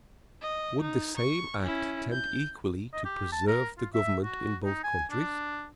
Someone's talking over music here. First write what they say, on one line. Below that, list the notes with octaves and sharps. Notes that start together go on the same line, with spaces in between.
Would the same act tend equally to preserve the government in both countries?
D#5
D#4
C#6
C#4 E4
G6
D#5
G4
A5
A#4
F4
E5
F#4
D#4
G#5
D4